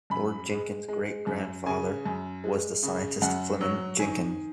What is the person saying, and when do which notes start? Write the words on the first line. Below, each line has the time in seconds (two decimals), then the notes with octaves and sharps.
Lord Jenkin's great-grandfather was the scientist Fleeming Jenkin.
0.10 F#2 B5
0.49 G#3
0.88 G#3
1.27 F#2
1.66 C#3 G#5
2.06 F#2
2.44 G#3
2.83 C#3
3.22 F#2 F#5
3.61 F#3
3.99 D#3 G#5